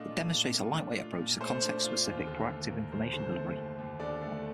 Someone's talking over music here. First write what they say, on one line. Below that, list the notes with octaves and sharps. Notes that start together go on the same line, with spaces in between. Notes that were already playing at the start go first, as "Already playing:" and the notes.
It demonstrates a lightweight approach to context-specific proactive information delivery.
Already playing: A#2 A3 D4 D#5 F5
F4
A#2
A3
D4
F4
A#2
A3 C5
D4
F4
D#2
D3
A3
D#2 A#4
D#2 C5
D3 C5
A3
D#2
D#2
D3 D5
A3